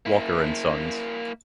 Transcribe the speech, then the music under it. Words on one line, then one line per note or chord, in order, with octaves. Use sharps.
Walker and Sons.
A#3 E4